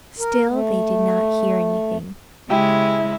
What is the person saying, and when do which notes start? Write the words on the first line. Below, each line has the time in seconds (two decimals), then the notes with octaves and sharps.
Still they did not hear anything.
0.19 A#4
0.50 A3
2.50 C#3 G#3 E4 G4